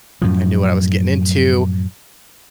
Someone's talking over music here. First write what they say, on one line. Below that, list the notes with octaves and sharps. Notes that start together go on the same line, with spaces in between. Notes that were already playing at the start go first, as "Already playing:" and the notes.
I knew what I was getting into.
F#2 A2 F3